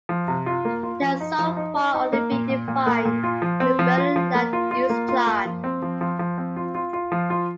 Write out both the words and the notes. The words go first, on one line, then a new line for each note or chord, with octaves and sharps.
It has so far only been defined in the Berlin land use plan.
F3
C3
F4
A#3
F4
F3
D#4
F3
D#4
D#4
D#4
A#3
A#2
A#2
A#2
A#3
A#2
F4
F3
C4
F3
F4
F3
A#3
F4
F4
A#3
F4
A#3
F3
C4
F3
F3
F3
C4
F4
F4
F4
F3
F4